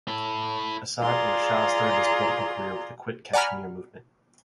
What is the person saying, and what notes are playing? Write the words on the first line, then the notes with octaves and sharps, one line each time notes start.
Assad Ullah Shah started his political carrer with the Quit Kashmir Movement.
E4 A4
F4 G#4 D5 A#5 C6
D5 F#5 G#5 A#5 B5 F6